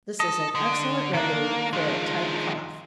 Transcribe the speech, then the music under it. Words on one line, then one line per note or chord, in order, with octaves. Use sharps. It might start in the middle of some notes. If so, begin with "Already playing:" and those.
This is an excellent remedy for a tight cough.
A4 D#5
D3
D#3 A#3 D4
F3 G#3